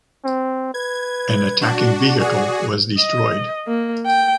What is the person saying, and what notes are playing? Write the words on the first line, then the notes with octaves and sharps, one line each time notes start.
An attacking vehicle was destroyed.
C4
B4 G#6
D4 F#4
F#4 G#4 D5
D#5
A#3
G5